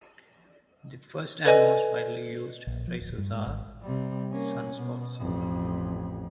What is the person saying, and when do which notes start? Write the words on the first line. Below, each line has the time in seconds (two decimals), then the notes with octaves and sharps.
The first and most widely used tracers are sunspots.
1.45 A4 B4 D5 D#5 G#5
2.67 A#1
2.87 F3
2.99 D1
3.18 G2
3.33 G#2
3.47 G#1
3.82 C3 G3
4.32 A#3 C#4
4.75 B2
5.20 A1 F2